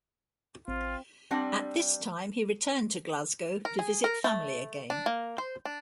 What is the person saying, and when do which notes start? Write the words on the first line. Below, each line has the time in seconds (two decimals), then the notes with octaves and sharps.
At this time he returned to Glasgow to visit family again.
0.68 A1 C4 F4
1.31 G3 C4 D4 F#5
3.65 A#4
3.79 G#4
4.04 A#4
4.24 A3
4.90 D4
5.06 A#3
5.38 C5
5.65 D4